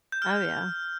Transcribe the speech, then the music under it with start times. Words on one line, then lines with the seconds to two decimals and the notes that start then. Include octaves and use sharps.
Oh, yeah.
0.12 G6
0.22 F6